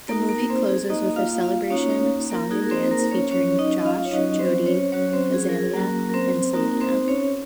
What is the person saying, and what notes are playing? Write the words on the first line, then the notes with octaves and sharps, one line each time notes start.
The movie closes with a celebration song-and-dance featuring Josh, Jodie, Azalea and Selena.
A#3 D#4 F#4 A#4
A#3 A#4
C4 C5
G#4
A#3 D#4 F#4 D#5
F4 F5
F4 F5
A#3 C#4 D#4 F#4 C#5
C#4 C#5
A#3 A#4
A#3 D#4 F#4 G#4
A#4
C4 C5
C5
A#3 A#4
C#4 C#5
F#3 C#4 F#4 C#5
D#4 D#5
D#5
F4 F5
C#5
F#3 C#4 D#4 F#4 D#5
C4 C5
C#4 C#5
F#3 C#4 F#4 C#5
C4 C5
G#4
A#4
G#4
F#3 A#3 C#4 F#4 A#4
A#4
C4 C5
A#3 C4 D#4 F#4 A#4
C4 C5
C#4 C#5